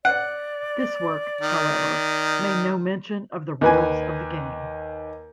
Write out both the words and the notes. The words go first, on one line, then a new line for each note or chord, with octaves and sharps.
This work, however, made no mention of the rules of the game.
D5 F#5
D#3
D#2 B4 G#5